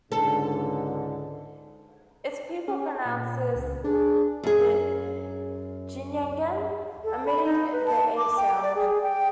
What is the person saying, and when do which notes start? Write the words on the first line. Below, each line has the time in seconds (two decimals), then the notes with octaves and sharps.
Its people pronounce it "Ginyangan" omitting the "a" sound.
0.12 C#2 G#2 D3 A4
2.68 C#4
3.05 A#2
3.55 C#2
3.84 D4 G#4
4.43 F#2 G#4
7.04 A4
7.27 B5
7.44 D#4
7.72 B4
7.86 A5
8.17 D6
8.37 G5
8.63 D5
8.76 G#4
9.03 G5